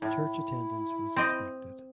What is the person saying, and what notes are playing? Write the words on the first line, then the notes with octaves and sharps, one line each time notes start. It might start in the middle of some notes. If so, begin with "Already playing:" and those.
Church attendance was expected.
A2 E4
C4 D#5